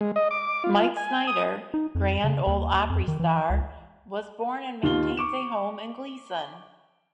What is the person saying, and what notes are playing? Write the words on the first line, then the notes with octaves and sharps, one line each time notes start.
Mike Snider, Grand Ole Opry star, was born and maintains a home in Gleason.
G#3
D#5
D6
F4
G#5
D#6
D#4
F2
C#3
D#2
D#2
F2
D#3
E3
C#2
D#2 D#3 F4 G7
C#6 D6 E7